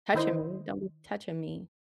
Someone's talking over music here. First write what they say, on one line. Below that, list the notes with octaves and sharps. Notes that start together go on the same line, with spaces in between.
touching me. Don't be touching me.
D#3 E4 C5 D#5